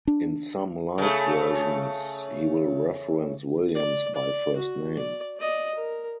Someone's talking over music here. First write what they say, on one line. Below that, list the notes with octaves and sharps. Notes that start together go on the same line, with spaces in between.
In some live versions, he will reference Williams by first name.
D4
C#3 A3
D5
D5
F#4
D5
D5 D#5
A#4